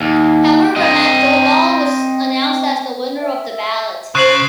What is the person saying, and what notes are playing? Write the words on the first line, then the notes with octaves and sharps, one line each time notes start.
However MacDougall was announced as the winner of the ballot.
D#2
C4 D#5
E5
C#3 C5 F#6 C7 F#7